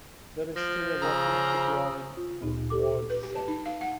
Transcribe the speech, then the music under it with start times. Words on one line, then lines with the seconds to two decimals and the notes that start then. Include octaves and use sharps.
There is still a working shipyard in Wallsend.
0.56 F3 A#6 D7
1.02 C#3 A#5 D#6 E6
2.17 F4
2.41 D2 A#2 D#4
2.70 G4 A4 D6
3.10 B4
3.23 G4
3.36 A5
3.48 D#4
3.66 F5
3.81 F#5